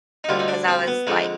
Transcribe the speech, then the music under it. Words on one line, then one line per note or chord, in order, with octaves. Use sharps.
'cause I was, like,
D#4
D2 D3 G3 F4
D#4
D4
C4
B3
F2 D3 G#3 D#4